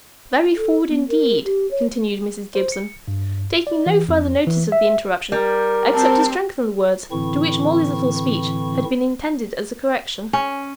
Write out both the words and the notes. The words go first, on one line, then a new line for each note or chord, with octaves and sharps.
"Very forward indeed!" continued Mrs. Gibson, taking no further notice of the interruption, except to strengthen the words to which Molly's little speech had been intended as a correction.
A4
B3
A#4
G4
C#5
C5
C#7
G2
D5
E3
F2
E3
E5
G3 A#4
C4 A5
A2 D3 E3 C4 E4 C#6
C#4